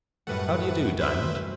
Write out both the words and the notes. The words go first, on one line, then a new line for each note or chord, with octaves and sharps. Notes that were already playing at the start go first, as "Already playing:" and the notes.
"How do you do, Diamond?"
F#2 A2 G3 A3 B4 F#5
B4 C5 E5